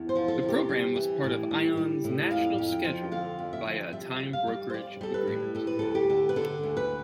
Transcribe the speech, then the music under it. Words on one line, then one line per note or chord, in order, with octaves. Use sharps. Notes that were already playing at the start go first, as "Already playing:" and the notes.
The program was part of Ion's national schedule via a time brokerage agreement.
Already playing: E2
C5
F3
A4
C3
G4
G3
E3
A2
G3
G3
A2
F2 F5
F2
G5
F3
D3 F5
F2
E5
F3
G3 E5
G3
F5
G3
C5
G3 D5
G3 A4
B4
A2
G3 A4
B4
D2 A4
G4
D3
B4
D3 A4
D2
B4